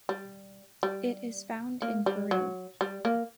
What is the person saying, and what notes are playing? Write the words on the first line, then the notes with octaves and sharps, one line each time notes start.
It is found in Peru.
G3
G3
A#3
G3
F#3
G3
A#3